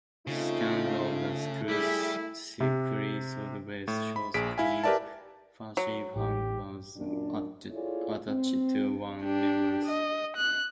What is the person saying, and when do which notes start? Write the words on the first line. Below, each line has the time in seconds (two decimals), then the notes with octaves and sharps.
Scans of the crew's cryotubes show a queen facehugger attached to one member.
0.27 C#3 A3 C4 D#4 F4
1.69 G3 E4 G4 G#4
2.60 C3
3.88 A2
4.16 B5
4.34 A#1 G#4 B6 D7
4.58 E4 F5 G#5
4.84 G4 A#4 B4 D5 E5 A5
5.77 F#3
6.16 A1 A2 G4
6.96 F#2 A#2 D4
7.71 E4 F4 G#4 A4 C#5 D5
8.27 C4
9.23 D4 G4
9.85 D#5
10.37 F#6